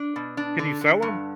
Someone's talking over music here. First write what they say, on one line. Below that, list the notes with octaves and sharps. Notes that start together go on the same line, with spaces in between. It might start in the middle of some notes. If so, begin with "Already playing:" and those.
Can you sell 'em?
Already playing: D4
B2
D4
D3
D3
G2